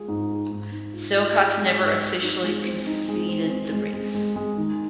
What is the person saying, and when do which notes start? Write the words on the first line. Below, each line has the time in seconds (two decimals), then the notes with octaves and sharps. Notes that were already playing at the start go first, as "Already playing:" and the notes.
Silcox never officially conceded the race.
Already playing: G#3 F4 G#4
0.08 G#2
0.29 G#4
0.50 G#2
0.72 G#2
0.93 F4
1.16 F4
1.36 G#4
1.57 G#3
1.79 G#2
2.00 C4
2.22 D#4
2.43 G#3
2.64 C4
2.87 D#4
3.08 G#3
3.29 C4
3.50 C4
3.72 G#3
3.93 G#3
4.15 G#3
4.36 G#3
4.58 D#3